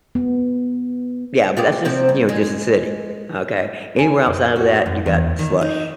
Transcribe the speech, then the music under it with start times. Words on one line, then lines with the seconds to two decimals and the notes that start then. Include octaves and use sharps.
Yeah, but that's just you know, just the city, okay? Anywhere outside of that, you got slush.
0.15 B3
1.57 F4 G4 G#4
1.85 C3 F3 C4
2.09 G2
2.29 G#3
3.99 G#5
4.26 F#2
4.56 F#4
4.86 F#2
5.06 E2
5.39 D#3
5.61 D#4